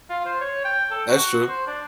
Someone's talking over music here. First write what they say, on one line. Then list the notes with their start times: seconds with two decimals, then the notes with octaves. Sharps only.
That's true.
0.10 F4
0.25 C5
0.41 C#5
0.65 G5
0.91 A4
1.09 F#4
1.49 C5
1.67 D4